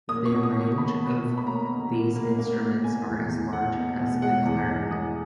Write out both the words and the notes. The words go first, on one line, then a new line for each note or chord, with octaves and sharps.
They range of these instruments are as large as a clarinet.
A#3 D#6
C#6
B2
D#6
A#3
C#6
A#3 B5
B2
B2
B5
A#3 A#5
B2
A#3
A#3
A#3
A#3
B2 G#5
E2
E2
B2 F#5
B2
B2
G#3 F#5
E2
E2
G#3 D#6